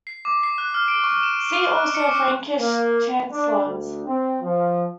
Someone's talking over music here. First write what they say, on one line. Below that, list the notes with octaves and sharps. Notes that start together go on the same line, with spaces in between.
See also Frankish Chancellors.
C7
D6
C7
F#6
F6
D7
C#6
E7
C#6
F#6
C#7
D6
A#3
D4
D2
C4
F3